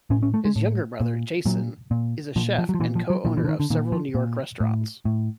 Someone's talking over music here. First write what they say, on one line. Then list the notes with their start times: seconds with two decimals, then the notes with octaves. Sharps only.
His younger brother, Jason, is a chef and co-owner of several New York restaurants.
0.10 A2 C#4
0.23 C#4
0.34 A3
0.45 G#3
0.56 A2
1.00 A#2
1.46 A#2 F#3
1.91 A#2
2.36 A#2 F3
2.58 F3
2.69 F#3
2.75 F3
2.80 A#2 E3
2.95 F3
3.10 F#3
3.25 A#2 F3
3.37 E3
3.44 D3
3.48 D#3
3.60 D3
3.70 A#2 D#3
3.92 F3
4.15 A#2
4.60 A2
5.05 A2